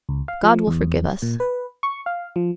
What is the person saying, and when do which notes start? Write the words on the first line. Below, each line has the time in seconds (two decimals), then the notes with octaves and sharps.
God will forgive us.
0.09 C#2
0.28 F5
0.43 F3
0.67 E2
1.22 A#2
1.40 B4
1.83 C#6
2.06 F5
2.36 F3